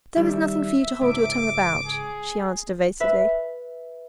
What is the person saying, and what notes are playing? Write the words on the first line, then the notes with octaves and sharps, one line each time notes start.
"There is nothing for you to hold your tongue about," she answered evasively.
D#3 G3 E5
C#2 G#2 D6
G#4
B4 E5